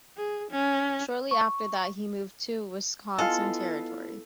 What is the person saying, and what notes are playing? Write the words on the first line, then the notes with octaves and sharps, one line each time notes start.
Shortly after that, he moved to Wisconsin Territory.
G#4
C#4
C#6
G#3 B3 E4 F4 A4 F5